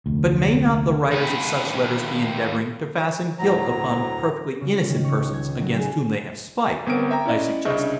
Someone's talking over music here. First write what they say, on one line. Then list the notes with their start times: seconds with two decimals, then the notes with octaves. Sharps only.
"But may not the writers of such letters be endeavouring to fasten guilt upon perfectly innocent persons against whom they have spite?" I suggested.
0.06 F1 D2
1.11 D#2 B4
3.39 D2 A2 F#3 A#5
4.61 C#3
4.76 F4
4.89 D#3
5.04 C#5
5.19 C#2
5.33 G#6
5.48 D#3
5.61 F#3
5.78 G#4
6.86 G1 B3 C4 A#4 D7
7.11 E5 G5 A#5
7.26 C#4 E4 D5 D#5
7.65 C2 C#3 D4 D#5 E5 C#6